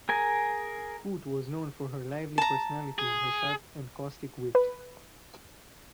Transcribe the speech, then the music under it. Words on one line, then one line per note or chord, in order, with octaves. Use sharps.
Coote was known for her lively personality and her sharp and caustic wit.
G#4 A#4 G#5
A5 A#5
G#4
B4